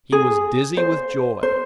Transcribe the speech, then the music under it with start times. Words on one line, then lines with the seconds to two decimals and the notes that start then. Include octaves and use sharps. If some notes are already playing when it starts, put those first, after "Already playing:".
He was dizzy with joy.
0.12 G#4
0.77 C5
1.43 C5